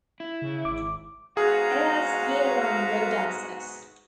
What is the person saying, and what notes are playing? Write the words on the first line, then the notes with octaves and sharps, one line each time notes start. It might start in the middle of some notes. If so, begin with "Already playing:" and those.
It has year-round road access.
E4
C#3
G#1 D6
G#2 B2 F#4 G#4 F5 A#5